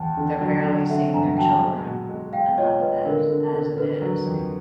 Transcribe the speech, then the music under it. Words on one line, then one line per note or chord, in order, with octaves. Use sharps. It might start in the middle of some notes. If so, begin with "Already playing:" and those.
they're barely seeing their children enough as as it is.
Already playing: E2 G5 A5
D3
F#3
D3
D3 E5 F#5
G2 G#5 A#5
F#3 G5 A5
G#3
B2
G#3
G#3 F5 G5
F4 C#5 D#5
G#3 B4
D3 A#4
D3
D3
D3 B4
F#3
F2